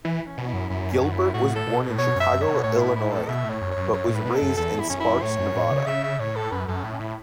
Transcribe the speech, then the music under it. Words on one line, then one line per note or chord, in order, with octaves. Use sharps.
Gilbert was born in Chicago, Illinois, but was raised in Sparks, Nevada.
E3 E4
C#4
B2
C#4
E4
F#2
F#2 E4
C#4
F#2 F#4
E4
A2 F#4
A4
B2
A2
B2 C#5
F#2 E5
F#2
C#5
B2
A2 C#5
E4
E4
A4
B2 E5
A2
C#5
F#2
F#2 C#5
F#2 C#5
A2
B4
B2
A4
F#2
E2 A4
E4
F#2 C#4
E4
A2 C#5
F#2
A2
C#3
C#3 E5
E5
A2 C#5
A4
F#2 B4
F#2 A4
A2 E4
C#4
A2 E4